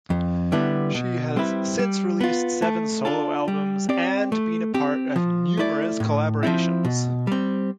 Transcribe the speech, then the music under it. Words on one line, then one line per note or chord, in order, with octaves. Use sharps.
She has since released seven solo albums and been a part of numerous collaborations.
F2
D3 G3 B3 E4
B2
G3 C4 E4 B4
G3
B3 F4
A3
D4 F4 A4
G3
C4 G4 D5
A3
C4 G4
F3
A3 E4 B4 D5
A2
F3 C4 E4
B2
G3 C4